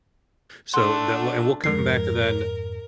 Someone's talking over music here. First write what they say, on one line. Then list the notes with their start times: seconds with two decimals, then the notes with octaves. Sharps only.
So that will and we'll come back to that in a
0.74 A3 D4 F#5 C6 E6
1.64 F2 G#2 A#4 C7